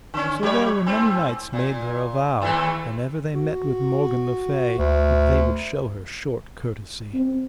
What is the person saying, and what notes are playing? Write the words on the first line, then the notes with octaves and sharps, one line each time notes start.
So there were many knights made their avow, an ever they met with Morgan le Fay, that they would show her short courtesy.
D3 C#4
F#3 C#5
G#2 C4
A#2
D#2 E3 A3
F#4
D2
C4